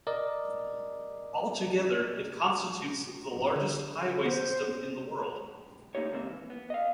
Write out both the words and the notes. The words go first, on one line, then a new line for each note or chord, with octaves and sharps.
Altogether, it constitutes the largest highway system in the world.
A#4 D5 D#5
D1
D3
B3 C5
A3 A#3 D#4 G4 C#5
C#3 G#3 A#3 C4
E3
B3
D#5 F5